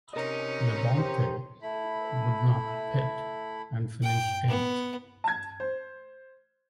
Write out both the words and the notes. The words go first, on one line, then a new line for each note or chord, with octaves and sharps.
Labonte would not pit and finish eighth.
C3 C#4 D#4 A#4 D#5
G4 C5
A3 E4 B5
G5
B3
A5 G#6
C5